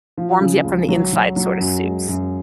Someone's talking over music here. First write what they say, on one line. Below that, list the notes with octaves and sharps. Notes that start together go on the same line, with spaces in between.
warms you up from the inside sort of soups.
F3
C#3
C#2
F#3
F#3
F#3
F#2
G#3
F#2